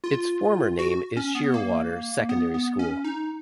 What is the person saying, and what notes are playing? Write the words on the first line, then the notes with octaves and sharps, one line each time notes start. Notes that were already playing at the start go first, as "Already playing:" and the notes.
Its former name is Sheerwater Secondary School.
F4
F#4
C#4
B3
A#3
B3
B3
C#4
D#4